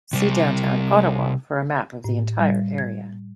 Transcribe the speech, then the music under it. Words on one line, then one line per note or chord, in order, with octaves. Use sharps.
See Downtown Ottawa for a map of the entire area.
C3 G3
A2
G3
G#6